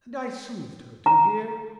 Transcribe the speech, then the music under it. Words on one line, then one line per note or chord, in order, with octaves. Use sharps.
And I soothed her, do you hear?
A#5